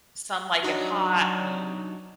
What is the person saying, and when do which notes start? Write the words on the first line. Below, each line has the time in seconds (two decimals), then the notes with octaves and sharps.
Some Like It Hot, and
0.63 F#3 D4 D#4 F#4